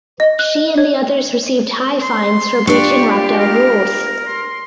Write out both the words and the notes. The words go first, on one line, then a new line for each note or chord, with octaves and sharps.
She and the others received high fines for breaching lockdown rules.
D#5
F#6
C#5
C6
D4 F4 G4 D5 C#6
A#4
C6